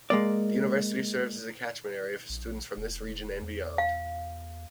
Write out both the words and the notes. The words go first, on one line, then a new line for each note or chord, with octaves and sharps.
The university serves as a catchment area for students from this region and beyond.
G#3 A#3 D5
A#1
E1
E2
F5